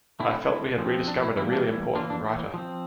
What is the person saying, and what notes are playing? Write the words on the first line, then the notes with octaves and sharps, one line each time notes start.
I felt we had rediscovered a really important writer.
D3 A3 C4 E4
E4
E4
F3 C4
D4
E4
E3 G3 A#3 E4
D4
E4
E3 A#3 D4 F4
D4
E4
F3 C4